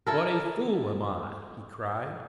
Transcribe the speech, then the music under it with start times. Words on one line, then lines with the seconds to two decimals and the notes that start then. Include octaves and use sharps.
"What a fool am I!" he cried.
0.06 E4 A4 A#4